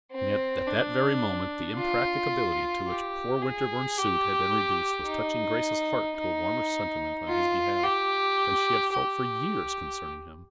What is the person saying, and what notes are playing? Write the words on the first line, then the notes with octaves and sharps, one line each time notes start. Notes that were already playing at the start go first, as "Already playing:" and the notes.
And yet at that very moment the impracticability to which poor Winterborne's suit had been reduced was touching Grace's heart to a warmer sentiment on his behalf than she had felt for years concerning him.
C4
D4
F4
G4
G#4
G4
D#4
D#4
F4
G4
G4